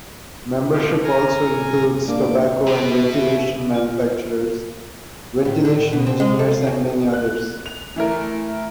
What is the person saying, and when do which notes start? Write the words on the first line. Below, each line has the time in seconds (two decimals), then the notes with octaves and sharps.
Membership also includes tobacco and ventilation manufacturers, ventilation engineers and many others.
0.71 B2 F3 G4
1.04 G#5 A#5 F6
2.08 A#3 D4 D6
2.68 B2
3.12 E5
3.74 F4
5.45 A2
5.65 D3
5.78 A2
5.93 B2
6.07 C4
6.20 G#3
6.39 A4
6.53 F5
6.67 C#3
7.14 F#6
7.66 F7
7.96 E3 A3 E4 A#4